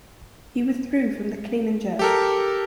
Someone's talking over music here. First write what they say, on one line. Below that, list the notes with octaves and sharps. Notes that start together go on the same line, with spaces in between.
He withdrew from the clean and jerk.
G4 A4 A#4